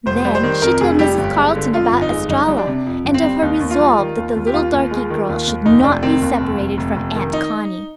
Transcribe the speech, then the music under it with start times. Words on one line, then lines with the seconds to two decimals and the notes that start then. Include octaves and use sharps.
Then she told Mrs. Carleton about Estralla, and of her resolve that the little darky girl should not be separated from Aunt Connie.
0.06 F1 C5
0.25 G3
0.35 C5
0.43 D#3
0.62 F2 A#4
0.80 F1 G#4
0.99 G3 G4
1.18 G1
1.36 G#3
1.56 D3
1.74 F2 F4
1.92 G1
2.02 D#4
2.11 G#3
2.30 G1 D#4
2.48 G3
2.58 D4
2.67 C3
2.86 F2
3.05 G1
3.14 C4
3.24 G3
3.42 D#2 D#4
3.60 D#2
3.71 F4
3.80 G3
3.98 D#3
4.17 D#2
4.35 D#2
4.47 G4
4.54 D#2 F4
4.73 D#2
4.91 G#3
5.10 D#3
5.29 D#2
5.47 D#2
5.65 F1 D#4
5.84 F1 D4
6.03 D#3 C4
6.22 D#2
6.40 F1
6.59 F1
6.78 F1
6.97 F1
7.15 D#3
7.33 D#4